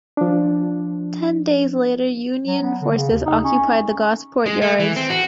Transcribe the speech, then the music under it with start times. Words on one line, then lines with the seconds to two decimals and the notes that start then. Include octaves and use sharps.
Ten days later Union forces occupied the Gosport Yards.
0.17 F3 D4
2.46 F#3
2.62 B3
2.81 D3
2.96 C#3
3.11 D#2
3.26 D#4
3.44 C#4
4.46 G#3
4.62 A3
4.80 E3
4.96 C4
5.10 F#4